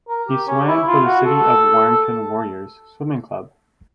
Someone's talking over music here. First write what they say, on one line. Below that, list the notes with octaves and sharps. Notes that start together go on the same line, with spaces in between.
He swan for the City of Warrington Warriors Swimming Club.
A#4
G4
C#4
E4
F4
F#4
A4